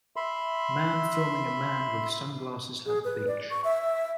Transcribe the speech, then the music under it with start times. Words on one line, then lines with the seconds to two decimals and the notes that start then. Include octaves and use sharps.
Man filiming a man with sunglasses at the beach.
0.16 E5 B5 C6
2.86 G#4
3.05 B4
3.28 D5
3.50 C#6
3.64 E5